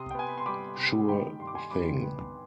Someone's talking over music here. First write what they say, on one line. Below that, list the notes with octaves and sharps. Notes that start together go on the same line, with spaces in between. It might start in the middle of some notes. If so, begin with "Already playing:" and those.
Sure thing.
Already playing: C3 C6 D#6
G5
B3 G#5
B5
C6
G3 B5 D6
C3
D#3 G5 B5
G2 C6
D6
G#5 C6
G2 B5 D6
B3